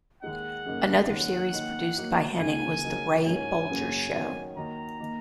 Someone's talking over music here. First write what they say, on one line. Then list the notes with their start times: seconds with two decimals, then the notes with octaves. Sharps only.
Another series produced by Henning was "The Ray Bolger Show".
0.22 D#2 D#3 G#3 D#4 F#5
0.66 F#2 C#3 A#3 D#4 A#4
1.09 D#2 D#3 F#3 A#3 C#4 F#5
1.53 D#2 D#3 A#3 D#4
1.97 F#3 A#3 D#4 F#4 D#5
2.39 C#2 C#3 A#3 G#5
2.82 C#3 F#3 D#4 A#4
3.26 G#2 F#3 C#4 A#4 G#5
3.70 F#2 C#3 A#3 C#4 F#4
4.13 D#3 F#3 C#4 A#4
4.57 D#2 D#3 A#3 D#4 F#4 A#5
4.99 D#3 A#3 D#4